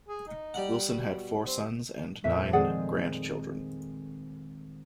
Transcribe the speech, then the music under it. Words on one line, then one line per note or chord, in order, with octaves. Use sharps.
Wilson had four sons and nine grandchildren.
G#4
D#4
G3 F#5
B2
C4
F2 A#2 A3 E5
D#3 G#3 C4 G#4 D5 F#5